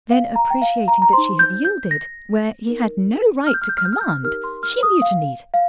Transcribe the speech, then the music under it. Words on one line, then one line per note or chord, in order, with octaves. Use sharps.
Then, appreciating that she had yielded where he had no right to command, she mutinied.
F5
A#5
G5
F5
A#5
A#5
D#4 C5 C6
G6
G6
A#6
D#4 A#4
F6
G6
F6
G6
F6
G6
F6
G6
F6
D#4 G4 A#4 F6
C6
F6
D#6
F5
F5